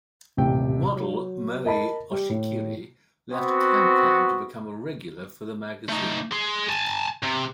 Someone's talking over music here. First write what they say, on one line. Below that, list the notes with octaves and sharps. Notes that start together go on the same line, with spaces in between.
Model Moe Oshikiri left "CanCam" to become a regular for the magazine.
D#1 A1 C3 G5
F#3
A#4 D#5 A5 B5
G3
A2
B3 C4 F#4
A3 D#4
G#4 C6
G#5 A5
C3